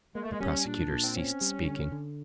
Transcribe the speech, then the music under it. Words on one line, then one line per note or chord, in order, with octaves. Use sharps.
The prosecutor ceased speaking.
G#3 A#3
A3
G#3
G3 C#4
A#2 D4
A#2
C4
C4 C#4
G3
D3
D3